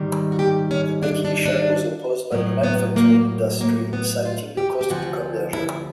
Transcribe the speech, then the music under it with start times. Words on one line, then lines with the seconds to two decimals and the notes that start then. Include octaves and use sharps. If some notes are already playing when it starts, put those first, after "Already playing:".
The petition was opposed by the manufacturing industry, citing the cost of the conversion.
Already playing: G#2 D#3 G3
0.32 F#4
0.39 G4
0.71 C#4
1.03 D4
1.25 D4
1.46 D4
2.32 A2 F#3 B3
2.63 B3
2.96 A#3
3.61 A#3
3.93 B3
4.25 F4
4.57 G4
4.81 G4
4.89 D2 C3 F3 F#4
5.53 E4